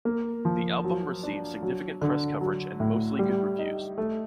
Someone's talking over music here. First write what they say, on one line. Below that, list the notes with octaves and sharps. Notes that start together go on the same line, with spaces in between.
The album received significant press coverage and mostly good reviews.
A#3
F3
F#3
D4
F#3
D3
F#3
A2
G3
D#4
A3